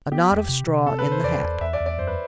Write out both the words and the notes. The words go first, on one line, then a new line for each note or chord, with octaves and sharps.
"A knot of straw in the hat."
B3 G4
E2
C3
C3
C4 A4
B4
C3
C5
E2 D5
E2
E2 E5
D5
E2
D5
F#2 C5
B4